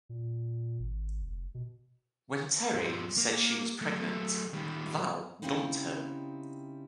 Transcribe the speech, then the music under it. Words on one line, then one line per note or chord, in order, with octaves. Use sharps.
When Terri said she was pregnant, Val dumped her.
A#2
G#1
F1
B2
G2 F3
A#3
F#3 A3
D#3 G3
C#3 G3 G#3 C4 D#4 E4